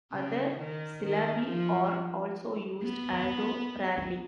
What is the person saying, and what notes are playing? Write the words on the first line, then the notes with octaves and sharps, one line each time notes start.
Other syllabi are also used, although rarely.
C#3
D#3
D#3
F3
B3